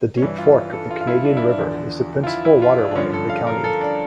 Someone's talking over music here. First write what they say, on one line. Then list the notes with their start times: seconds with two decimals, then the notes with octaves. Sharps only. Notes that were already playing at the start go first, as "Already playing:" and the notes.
The Deep Fork of the Canadian River is the principal waterway in the county.
0.17 C#4
0.22 G2 E3 D4
0.38 F4
0.73 A4
0.91 F4
1.01 F4
1.07 E4
1.25 D4
1.37 E4
1.42 D4
1.58 E2 D3 F3
2.23 F4
2.27 E4
2.45 E4
2.62 F4
2.78 D4
2.91 D4
2.95 G2 D3 F3 C#4
3.14 A4
3.30 F5
3.47 A#4
3.64 A4
3.81 D4